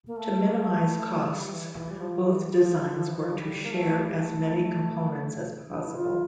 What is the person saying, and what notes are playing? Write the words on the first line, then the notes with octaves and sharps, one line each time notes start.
To minimise costs, both designs were to share as many components as possible.
A#3
A3
A#3
A3
A3
G3
E3
E3
G3
F3
E3
F3
E3
F3
G3
A#3
A3
G3
A3
D4
E4
F4